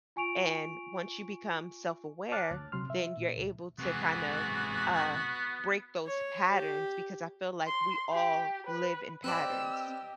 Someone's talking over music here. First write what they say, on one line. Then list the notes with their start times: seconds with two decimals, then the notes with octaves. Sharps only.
and once you become self-aware, then you're able to kind of, uh, break those patterns because I feel like we all live in patterns,
0.16 F4 G#5 C#6 D7 F7
2.31 C#5 A5 D6 F6 F#6 A6
2.51 D2
2.72 C3 F#3 C6 F6
2.90 E5
3.17 A#2
3.37 C#2
3.79 C3 E3 G#3 B3 F#4
6.06 C#5
6.49 G4
7.67 C6
8.13 G4
8.66 B4
9.24 C4 G4 B4 C5 D5 D#5 E6